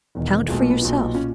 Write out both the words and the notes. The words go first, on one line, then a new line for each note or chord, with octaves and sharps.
"Count for yourself."
E1 E2 D#3
B1 A#2 G#3
A#3
B3
B1 A#2
A#2 C#4